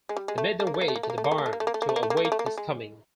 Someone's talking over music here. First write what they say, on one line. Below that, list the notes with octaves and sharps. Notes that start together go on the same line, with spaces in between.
They made their way to the barn to await his coming.
G#3
G3
G#3
A3
A3
A#3
A3
A#3
A3
A#3
A3
A#3
A3
A#3
A3
A#3
A3
A#3
A3
A#3
A3
A#3
A3
A#3
A3
A#3
A3
A#3
A3
A#3
A3
G#3